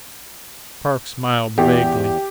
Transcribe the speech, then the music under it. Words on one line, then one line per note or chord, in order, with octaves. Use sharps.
Park smiled vaguely.
E2 G4